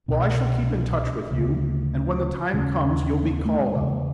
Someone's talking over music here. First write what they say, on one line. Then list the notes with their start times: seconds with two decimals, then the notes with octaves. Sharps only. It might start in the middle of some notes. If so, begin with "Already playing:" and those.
Well, I shall keep in touch with you, and when the time comes you'll be called on.
0.08 C2 B2 D4
0.70 D4
1.31 D2 C#3
2.54 D#2 C#3 C#4
3.24 A#3
3.30 B3
3.45 A3
3.61 G#3
3.76 E2 C#3 G#3
3.92 A#3